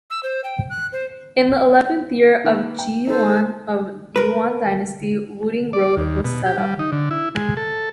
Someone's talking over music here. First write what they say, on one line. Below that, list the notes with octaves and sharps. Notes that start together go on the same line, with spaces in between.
In the eleventh year of Zhi Yuan of Yuan Dynasty, Wuding Road was set up.
E6
C5
G5
F#6
C5
D#3 A#3 B4
G5
D#4 A4 C5
A#4 B4
D5
D#2
B2
G4
G3
D#4
D3
E4
G#3
A4